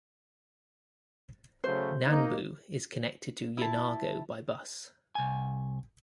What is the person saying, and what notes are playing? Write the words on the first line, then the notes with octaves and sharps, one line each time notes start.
Nanbu is connected to Yonago by bus.
C#3 F#3 A3 C5
A#3 D#4
E4 A5
C2 G#5